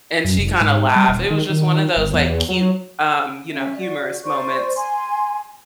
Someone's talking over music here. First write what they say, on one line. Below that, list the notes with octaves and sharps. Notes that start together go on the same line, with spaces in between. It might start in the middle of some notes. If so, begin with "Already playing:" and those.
And she kinda laughed. It was just one of those, like, cute, um, you know, humorous moments.
F#2
F1
G#2
G3
D#1
D#3
D#3
D#3
G1
E2
F#3
C#4 E5
F#4 D5
C5 D5 C#6
G#5 C6